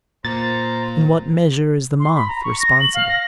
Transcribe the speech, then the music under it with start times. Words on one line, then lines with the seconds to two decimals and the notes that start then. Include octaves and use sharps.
In what measure is the moth responsible?
0.25 A#2 C5 A#5 A6
2.00 C6
2.15 B5
2.28 A#5
2.44 C#6
2.60 A#6
2.80 F#7
2.94 F5
3.09 A#6